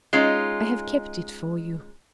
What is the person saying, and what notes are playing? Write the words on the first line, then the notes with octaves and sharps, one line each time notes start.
I have kept it for you.
G#3 C#4 D#4 F4